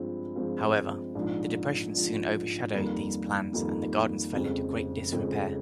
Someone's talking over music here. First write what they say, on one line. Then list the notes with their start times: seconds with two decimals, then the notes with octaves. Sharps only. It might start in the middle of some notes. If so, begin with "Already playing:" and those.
However, the Depression soon overshadowed these plans and the gardens fell into great disrepair.
Already playing: G2 F3 G#3 C4 F4
0.35 G2 F3 G#3 C4 F4
1.15 A#1 G#2 F3
1.95 A#1 G#2 F3
2.74 F2 D#3 G3 A#3
3.53 F2 D#3 G3 A#3
4.32 F1 F2 C#3 G#3 C4
5.12 F1 F2 C#3 G#3 C4